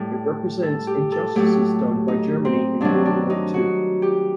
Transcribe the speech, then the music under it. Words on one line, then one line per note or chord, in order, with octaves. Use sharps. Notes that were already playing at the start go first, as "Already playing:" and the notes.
It represents injustices done by Germany in World War Two.
Already playing: A2 G3
A4
G4
A4
A2 F#3 A3 G4
D#4
C4
G2 D#3 F#3 D4
D4
D#4
F#4
G4